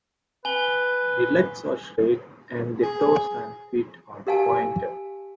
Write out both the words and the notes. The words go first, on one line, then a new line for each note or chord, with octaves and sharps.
The legs are straight, and the toes and feet are pointed.
B4 G#5 G7
G#4
G4 A#4 F5 G#5 A5